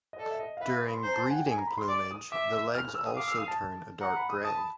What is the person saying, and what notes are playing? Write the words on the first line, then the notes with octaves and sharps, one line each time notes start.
During breeding plumage the legs also turn a dark grey.
D#5
A4 D5
E5
D#5
F5
B4 E5
F5
B5
C6
C5 A#5
A5
G#5
F#5
G5
G#5
A#5
B5
C6
D5 D6
D#6
E5 D6
E6
F6
F6
E6
D#6
F5 D6
E6
D#6
A5
F#5 A#5
B5
D#6
A5 D#6
B5